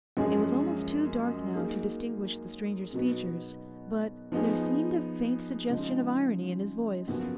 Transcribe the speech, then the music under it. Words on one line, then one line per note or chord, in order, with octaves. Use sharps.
It was almost too dark now to distinguish the stranger's features but there seemed a faint suggestion of irony in his voice.
F#2 F3 G#3 C#4 G#4
F#3 A#3 D#4 G#4
B2 F#3 B3 D#4 F#4
F3 B3 D#4 G#4
C#3 F3 G#3 D#4
F#2 C#3 F3 B3 F#4